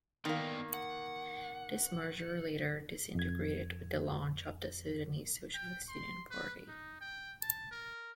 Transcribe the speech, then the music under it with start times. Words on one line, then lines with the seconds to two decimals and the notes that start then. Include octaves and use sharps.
This merger later disintegrated with the launch of the Sudanese Socialist Union Party.
0.25 D#3 A#3 B3 D5 G5
0.74 F#5
3.15 F2 G#6
5.54 G5
5.89 C6
6.31 B4
6.68 D#4
7.01 G5
7.42 A5
7.71 A#4